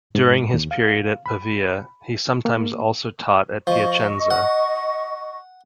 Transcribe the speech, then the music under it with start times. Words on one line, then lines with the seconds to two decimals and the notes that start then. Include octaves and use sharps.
During his period at Pavia he sometimes also taught at Piacenza.
0.15 G#2
0.54 D#2
0.71 F5
1.26 B5
2.45 A#3
3.67 F3 D#5 C#6
4.30 F#5